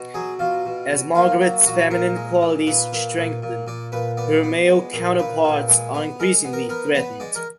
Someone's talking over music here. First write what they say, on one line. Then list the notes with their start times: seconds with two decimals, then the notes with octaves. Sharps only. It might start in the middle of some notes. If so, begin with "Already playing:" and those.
As Margaret's feminine qualities strengthen, her male counterparts are increasingly threatened.
Already playing: B2
0.14 F#3 G#4
0.39 B2 F4
0.66 B2
0.90 B2
1.15 A#3 F4
1.41 F#3
1.66 A#2 F#4
1.91 A#2 A#4
2.16 G#3
2.41 A#2
2.66 A#2 B4
2.92 A#2
3.17 A#2
3.43 A#2
3.67 A#2 D5
3.92 A#2 B4
4.17 B3 D5
4.44 B3
4.68 G#3
4.93 A#2
5.18 A#2 B4
5.44 A#2
5.68 G#3
5.94 B3
6.20 G#3 A#4
6.45 B3
6.53 A#4
6.69 B3 A#4
6.95 B3 B4
7.20 G#3 D5
7.35 A#4